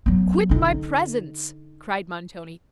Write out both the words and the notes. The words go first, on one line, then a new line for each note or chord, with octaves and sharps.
'Quit my presence!' cried Montoni.
F#3 B3
D3 D#4